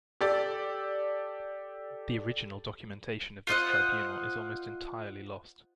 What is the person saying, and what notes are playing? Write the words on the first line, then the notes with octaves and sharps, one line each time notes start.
The original documentation of this tribunal is almost entirely lost.
G4 A4 D5
F4 C5 D#5 F#5